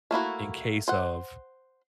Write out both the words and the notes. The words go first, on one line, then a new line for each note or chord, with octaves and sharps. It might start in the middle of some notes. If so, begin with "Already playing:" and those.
in case of
A3 A#3 E4 F#4
C5 F#5